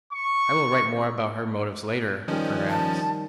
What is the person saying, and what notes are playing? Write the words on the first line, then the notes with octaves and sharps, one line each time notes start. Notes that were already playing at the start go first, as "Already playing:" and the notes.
I will write more about her motives later, perhaps.
C#6
D#3 F3 G3 C#4
A5